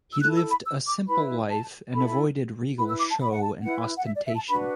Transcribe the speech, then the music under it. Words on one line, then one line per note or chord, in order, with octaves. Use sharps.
He lived a simple life and avoided regal show and ostentation.
E6
E4 A4 F#6
E6
B5
E6
D6
E4 B4 B5
A5
E4 A4 B5
E4 B4 B5
E6
D6
A5
B5
F#5
A5
E4 B4 F#5
F#5
E5
D5
E5
A5
D4 F#4 B4 B5